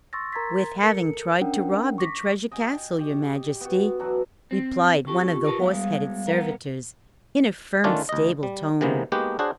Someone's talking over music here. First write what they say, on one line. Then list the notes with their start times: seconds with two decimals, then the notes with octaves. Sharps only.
"With having tried to rob the treasure castle, Your Majesty," replied one of the horse-headed servitors in a firm, stable tone.
0.13 C6 C#6 E6 A6 A#6
0.33 A#4 A#5 C6 G#6 A6 B6
0.81 A4 A#4 C#7
1.41 C#4 D4 A#4 F#5 G5
1.98 C#6 D6 A#6 B6
2.51 D#5 G5 G#5
2.98 G4 C#6
3.48 G5
3.61 B3 F#4
3.99 E3 F#3 D4 F#4
4.51 C4
5.07 F2 F4 G4 A4 C#6
5.45 A#4 B4 A5
5.59 B2 G3 G#3 F5
6.27 B3 A#4
7.84 D#3 A3 C#4 D4 F4 D5
8.09 D2 D#5
8.43 G3
8.81 C3 D#3 E3 G#3 A#3 B3
9.12 G#3 A#3 B3 D#4 F#4 G4
9.39 D4 F#4 G#4 C5 C#5